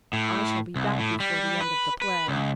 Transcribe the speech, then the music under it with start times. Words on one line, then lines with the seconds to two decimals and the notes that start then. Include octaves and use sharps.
I shall be back before the end of the play.
0.13 A2
0.76 C2
0.99 A2
1.20 G3
1.61 B4
2.02 B4
2.28 C#2